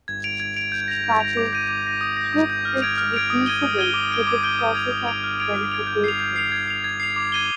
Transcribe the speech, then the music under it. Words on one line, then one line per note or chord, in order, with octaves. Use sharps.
That is, truth is reducible to this process of verification.
G#6
D7 F7
G#6
D7 F7
G6
A#6 F7
G6
A#6 F7
D6
G6 A#6 D#7
D6
G6 A#6 D#7
D#6
G6 A#6
D#6
G6 A#6
F6
G#6 D7 F7
F6
G#6 D7 F7
D#6
G#6 D#7 G7
D#6
G#6 D#7 G7
D6
G6 D7 G7
D6
G6 D7 G7
D#6
G#6 D7 F7
D#6
G#6 D7 F7
F6
G#6 D7 F7
F6
G#6 D7 F7
G6
C7 F7
G6
C7 F7
G#6
C7 F7
G#6
C7 F7
D6
G#6 D#7 G7